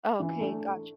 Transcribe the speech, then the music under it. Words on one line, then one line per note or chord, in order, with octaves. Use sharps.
Okay, gotcha.
E3
A3 D4